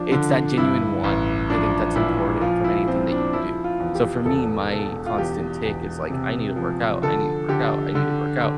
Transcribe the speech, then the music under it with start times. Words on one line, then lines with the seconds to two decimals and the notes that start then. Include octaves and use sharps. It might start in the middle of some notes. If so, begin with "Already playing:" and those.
it's that genuine want. I think that's important from anything that you do. So, for me, my constant take is, like, I need to work out, I need to work out, I need to work out.
Already playing: F3 D4
0.12 D3
0.58 G2 E4
1.04 A1
1.50 F3 D4
1.96 A#2 E4
2.41 F3 F4
2.64 E4
2.87 F3 C4
3.11 D4
3.33 F3 E4
3.64 F4
3.80 E2
3.95 G4
4.26 E1 A4
4.72 E1 A4
5.06 F4
5.18 E2 G4
5.65 E2
6.10 C3
6.56 F3
7.02 D3 A4
7.49 D3 G4
7.95 D3
8.41 D3